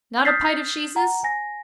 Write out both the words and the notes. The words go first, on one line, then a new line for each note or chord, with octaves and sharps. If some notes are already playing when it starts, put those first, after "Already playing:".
Not a pite of sheeses?
D#6 F6 G6 A6 B6 C7
F#5 A#5
G#5 A#6